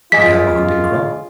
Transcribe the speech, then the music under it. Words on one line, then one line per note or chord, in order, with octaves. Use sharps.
"I have a hunting-crop."
F4 G#4 D#5 G#5 B6